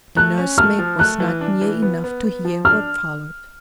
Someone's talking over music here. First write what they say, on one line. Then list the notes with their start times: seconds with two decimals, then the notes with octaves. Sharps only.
The nursemaid was not near enough to hear what followed.
0.16 A3 F#6
0.38 C#4
0.58 A3 F6
0.79 F3
0.99 A3 F#6
1.20 E3
1.41 D4
1.61 E3
1.82 B3
2.04 B3
2.24 B3
2.45 F3
2.65 D4 F6